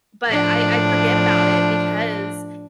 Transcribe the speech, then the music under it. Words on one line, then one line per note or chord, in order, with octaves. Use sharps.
But I I forget about it because
A2 F3 D4